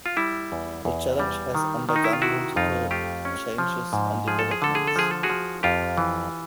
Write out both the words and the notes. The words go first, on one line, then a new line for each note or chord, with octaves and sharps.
The challenge has undergone multiple changes and developments.
F4
G3 E4
E2
E2
G3
D#3
D#3
D#4
E4
F4
C3 E4 F#4
F2 D#4 F4
A3 F4 G4
C#4
F3
G#2
F3 G#4
A4
G#4
D3 A4
G#4
A4
F3 G#4
A4
F#4 G#4
F3
F2 F4 G4
E3